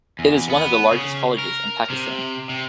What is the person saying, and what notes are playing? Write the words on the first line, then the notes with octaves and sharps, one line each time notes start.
It is one of the largest colleges in Pakistan.
E2
B3
C#3
A#4
C3
C3